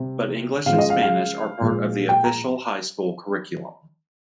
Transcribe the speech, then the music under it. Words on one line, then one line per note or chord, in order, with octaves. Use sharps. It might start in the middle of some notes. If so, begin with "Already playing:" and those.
But English and Spanish are part of the official high school curriculum.
Already playing: C3 G3
C#3 F3 G#3 F5
D#5
F5
F5
A#2 F3 G#3
G5
A#5